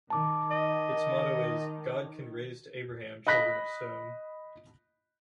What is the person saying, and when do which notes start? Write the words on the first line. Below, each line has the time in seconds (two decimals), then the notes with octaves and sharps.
Its motto is "God Can Raise to Abraham Children of Stone".
0.10 D#3 A5 D6
0.51 D#5
3.27 D#5 B5 F#6 A#6 B6